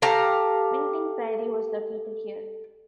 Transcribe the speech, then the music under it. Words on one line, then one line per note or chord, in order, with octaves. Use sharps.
Minting Priory was located here.
G4 A4 F5 A#5